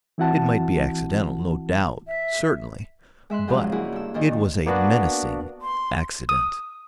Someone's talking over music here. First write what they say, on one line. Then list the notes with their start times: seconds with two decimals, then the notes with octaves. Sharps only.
It might be accidental, no doubt, certainly, but it was a menacing accident.
0.18 E3 C4 E4 F#4 F#5 A5
2.07 E5
3.30 G#3 E5 C6 F#6
3.47 G2 C#3 F3 F#3 G#3
3.72 A#3 E4 F#4 G#4
3.92 G2 E6
4.14 A#2 D#3 D4 D#4
4.66 A#3 B3 D4 F#4
5.62 C6
6.29 D#6